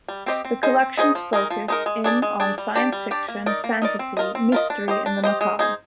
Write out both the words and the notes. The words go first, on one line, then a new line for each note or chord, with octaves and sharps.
The collection's focus in on science fiction, fantasy, mystery and the macabre.
G3
C4 G4 C5 D#5
C4
D#4 G#4 C5 D#5
C4
D#4 G#4 C5 D#5
F3
G#3 D#4 A#4
F3
G#3 D#4 A#4
G#3
D4 G#4 D5
G#3
D4 G#4 D5
G3
D4 G4 D5
G3
D4 G4 D5
A#3
D#4 A#4 D5
A#3
D#4 A#4 D5
C4
F4 A#4 D#5
C4
F4 A#4 D#5
D4
G4 C5 D#5
D4
G4 C5 D#5
G#3
D#4 G#4 C5